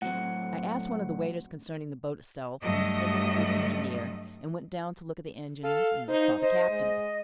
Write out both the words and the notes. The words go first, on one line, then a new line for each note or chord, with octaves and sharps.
I asked one of the waiters concerning the boat itself, and was taken to see the engineer, and went down to look at the engines, and saw the captain.
A2 F#3 C4 F#5
G2 F#3 A3 D#5
A4 F5
D#4 C5
C5 D#5
G#3